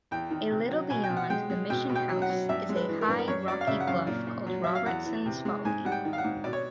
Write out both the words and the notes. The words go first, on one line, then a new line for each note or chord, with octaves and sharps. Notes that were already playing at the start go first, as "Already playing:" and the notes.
A little beyond the Mission House is a high rocky bluff called Robertson's Folly.
E2 G5
D#3
C3
F#3
B2 G#5
G5
B2
F#5
G#3 G5
G#3
B2 G5
B2
G5
F#3
F#5
F#3
G2 E5
G#3
B4
E3
A#4
G2 B4
A#4
F#2 C#5
F#3 D5
F5
C#3 E5
F#5
F#2 F5
A#2
A#2
F#3
F#3 E5
F5
E2 F#5
E3
C3
G#3
G#2 G#5
G3 F#5
G5
D#3
F5
F#5
G#2
B2 D5
C#5